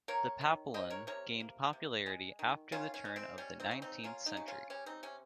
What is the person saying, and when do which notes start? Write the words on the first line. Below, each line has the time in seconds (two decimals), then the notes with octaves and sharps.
The Papillon gained popularity after the turn of the nineteenth century.
0.08 A#3 A#4 C#5
0.41 D#3
0.74 G3 C5 D#5
0.90 A#4 C#5
1.07 C3 A#4 C#5
1.40 A#3
1.73 C3
2.06 G#3
2.39 D#3
2.72 D#3 C#4 F4
2.94 C#4
3.05 G#3
3.16 C4
3.38 G3 C#4
3.60 C4 D#4
3.71 C#3
3.82 C4 D#4
4.04 A#3 C#4 F4
4.26 D#4 G4
4.37 C#3
4.48 C#4 F4
4.70 G3 C#4
4.86 C4 D#4
5.03 C3 C#4